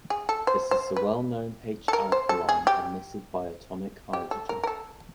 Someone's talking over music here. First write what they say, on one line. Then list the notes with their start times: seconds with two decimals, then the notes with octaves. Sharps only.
This is the well-known H-alpha line emitted by atomic hydrogen.
0.10 G#4
0.29 A4
0.47 C5
0.71 C5
0.96 B4
1.88 A4
1.93 A#4
2.12 C5
2.29 A4
2.49 G#4
2.67 G4
4.13 G4
4.31 A4
4.49 A#4
4.63 A#4
4.67 A4